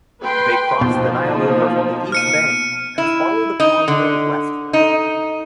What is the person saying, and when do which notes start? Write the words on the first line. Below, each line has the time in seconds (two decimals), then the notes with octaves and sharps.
They cross the Nile River from the east bank and follow the causeway westward.
0.22 B4 G5 C6
0.81 B2 F3 A#3 D#4
2.12 F6 C#7 D#7
2.98 E4
3.60 D#4
3.88 D3
4.73 D#4